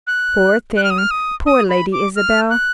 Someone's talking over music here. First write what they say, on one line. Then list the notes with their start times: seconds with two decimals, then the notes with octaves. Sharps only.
Poor thing--poor Lady Isabel!
0.07 F#6
0.77 F#6
0.84 F6
0.90 D#6
0.98 F6
1.11 D#6
1.46 D#6
1.69 B5
1.93 D6
2.16 F6
2.50 F#6